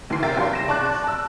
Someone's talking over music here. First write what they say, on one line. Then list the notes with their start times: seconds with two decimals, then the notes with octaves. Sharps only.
Black Rooms!
0.10 D2 E3 C6 C7
0.23 A#4 E5 G5 A6
0.36 G1 G2 F#3 C6
0.53 A#6 E7
0.68 D5 A5 C#6 D6 F#6
1.04 A5 E6